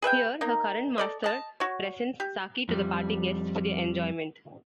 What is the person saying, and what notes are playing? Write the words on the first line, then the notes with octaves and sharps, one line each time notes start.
Here, her current master presents Saki to the party guests for their enjoyment.
G#4 B4 E5 G5
A#3 D#4
A4 D5 D#5
D#5 A5
F#4 C#5
G4
F2 G3